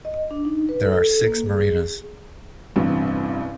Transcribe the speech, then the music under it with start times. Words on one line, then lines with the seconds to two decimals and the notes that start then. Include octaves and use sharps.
There are six marinas.
0.05 D#5
0.31 D4
0.45 D#4
0.69 B4
0.85 A4
1.10 A4
1.26 A#3
1.46 G#4
1.61 G#4
2.76 A1 G2 C3